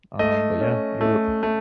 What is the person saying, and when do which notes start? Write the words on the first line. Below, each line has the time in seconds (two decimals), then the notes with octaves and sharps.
um, but yeah, Europe,
0.19 A3 D#5
0.61 C#4
1.01 A3
1.43 A3